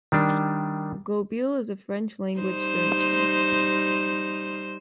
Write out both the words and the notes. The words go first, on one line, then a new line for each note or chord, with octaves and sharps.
Gobeil is a French language surname.
D#3 G3 D4
G3 D#4 C5